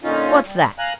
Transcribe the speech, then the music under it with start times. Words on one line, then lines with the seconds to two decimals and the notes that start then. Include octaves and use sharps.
"What's that?"
0.03 A#2 D3 C#4 D#4 F4
0.45 G3
0.78 F5 G#5 A#5 F#6